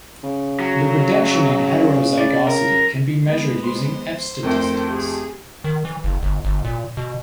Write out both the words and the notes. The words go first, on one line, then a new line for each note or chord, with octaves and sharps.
The reduction in heterozygosity can be measured using "F"-statistics.
C#3
F#3
D5
A#4
G#3 B3
C5 C6
F2 A3 A#4 G5
G4 G#4
D#3
E3
F#1
G1
G1
A#2
B2